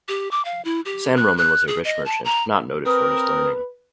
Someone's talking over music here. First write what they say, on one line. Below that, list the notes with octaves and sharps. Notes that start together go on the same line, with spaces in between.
San Roman was a rich merchant not noted for his learning.
G4
D6
F5
E4
G4
F#6
F#6
G#4
D#5
A5
A#5
C4 A#4 B4 D#6